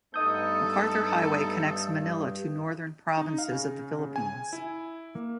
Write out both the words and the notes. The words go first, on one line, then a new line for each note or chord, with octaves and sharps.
MacArthur Highway connects Manila to northern provinces of the Philippines.
G2 A3 B3 D#4 A4 D#5 D#6 G6
D#4
F5
C#3
C#3
G#5
E4
A#3